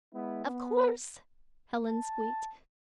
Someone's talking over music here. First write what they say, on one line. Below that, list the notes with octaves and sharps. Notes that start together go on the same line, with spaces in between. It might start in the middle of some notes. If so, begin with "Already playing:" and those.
"Of course," Helen squeaked.
G#3 B3 E4
B3
A5